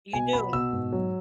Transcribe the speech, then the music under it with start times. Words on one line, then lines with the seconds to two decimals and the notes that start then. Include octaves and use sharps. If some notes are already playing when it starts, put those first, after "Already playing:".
You do.
0.13 B2 G#5
0.33 B3 B5
0.52 B2 E6
0.73 G#2
0.92 F#3